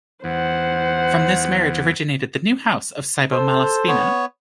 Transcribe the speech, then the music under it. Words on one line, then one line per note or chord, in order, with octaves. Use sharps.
From this marriage originated the new house of Cybo-Malaspina.
E2 C5 F#5
A4 C5
B3 C#5